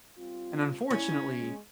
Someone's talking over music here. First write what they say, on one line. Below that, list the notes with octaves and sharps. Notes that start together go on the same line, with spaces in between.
and unfortunately,
G3 C4 F4
C#4 E4
G#3